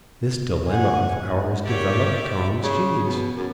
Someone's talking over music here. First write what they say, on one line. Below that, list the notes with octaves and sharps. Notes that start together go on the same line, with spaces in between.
This dilemma of ours developed Tom's genius.
F#5 G#5
G4 A#4 C#5 D5 E5 D6
C#3
B2
F#2